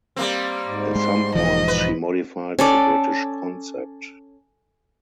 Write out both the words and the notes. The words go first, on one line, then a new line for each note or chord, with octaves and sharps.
In some points she modified the British concept.
G3 A#3 C4
G#2
G#3 C6
E1 E3 F3 D#5
B4
C#4 A4 D5